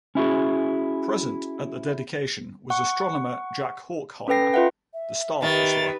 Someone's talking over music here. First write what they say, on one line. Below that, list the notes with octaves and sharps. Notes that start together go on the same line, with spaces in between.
Present at the dedication was astronomer Jack Horkheimer--The Starhustler.
C#4 E4 F#4 G#4
F#5 C#6
C#4 A4 B4 G5 A#6 C7
F4 B4 E5 F#5 G5
E5
D#3 G4 B4 A6